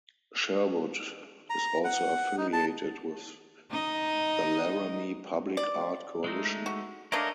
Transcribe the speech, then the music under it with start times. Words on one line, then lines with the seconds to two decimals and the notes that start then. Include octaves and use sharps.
Sherwood is also affiliated with the Laramie Public Art Coalition.
1.50 A#5
1.84 F#5
2.38 D#4
2.53 A5
3.71 D#4 D#5
5.57 D5
6.24 G#3 A3 D#4
6.66 F#4
7.12 A3 A#3 D4 A#4 C#5 D#5